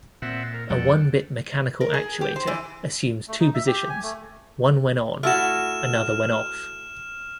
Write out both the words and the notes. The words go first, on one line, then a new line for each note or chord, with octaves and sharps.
A one-bit mechanical actuator assumes two positions: one when on, another when off.
A#2 C4 E5 F#5
A#4
F2 G3 A4 F#5 G5
A#4
G#4
G4
C5
E3
A3
D#4
E5
G4
G#5
A3
A3 E4 F#4 F6 E7